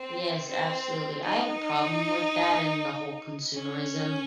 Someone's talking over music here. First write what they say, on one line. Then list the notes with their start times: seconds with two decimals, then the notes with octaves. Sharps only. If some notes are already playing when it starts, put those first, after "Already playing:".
Yes, absolutely. I have a problem with that and the whole consumerism
Already playing: C4
0.47 C4
1.24 D#4
3.55 C#4